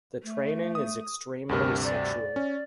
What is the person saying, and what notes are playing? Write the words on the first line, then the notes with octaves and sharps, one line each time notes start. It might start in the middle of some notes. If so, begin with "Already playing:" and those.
The training is extremely sexual.
A3
D#6
D2 G2 C3 A#4
D5
C#4